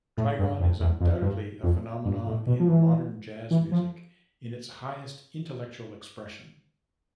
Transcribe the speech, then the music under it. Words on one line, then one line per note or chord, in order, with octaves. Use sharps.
Trigon is undoubtedly a phenomenon in modern jazz music in its highest intellectual expression.
A2
G2
F2
E2
F2
G2
F2
G2
A2
B2
F3
E3
E3
F3